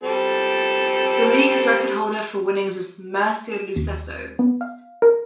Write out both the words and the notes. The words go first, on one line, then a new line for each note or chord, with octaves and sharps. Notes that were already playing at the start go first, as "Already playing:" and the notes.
The league's record holder for winnings is Mircea Lucescu.
G3 C4 A4
E7
D#2
B3
F5
A#4